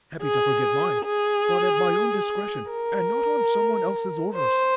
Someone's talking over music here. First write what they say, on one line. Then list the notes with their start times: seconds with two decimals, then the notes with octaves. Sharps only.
I'm happy to forget mine, but at my own discretion, and not on someone else's orders.
0.23 G#4
1.06 G#4
2.71 A#4
4.36 C5